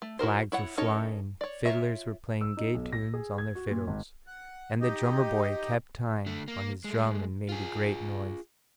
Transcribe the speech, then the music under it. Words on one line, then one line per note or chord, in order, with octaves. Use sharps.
Flags were flying, fiddlers were playing gay tunes on their fiddles, and the drummer boy kept time on his drum and made a great noise.
A3
E4 F#4 A#4 C5
E4 C#5 F#5
C#4 D#4 A4 A#4 C#5
C#5 D5
F4 A#4 C#5 E5
E6
D#4
B1
A#6
G#4
G#6
F#4
A#2
G#1
F#5
D#4 G4 D#5
D3 A3
A#3
G#3 A3
F4 G#4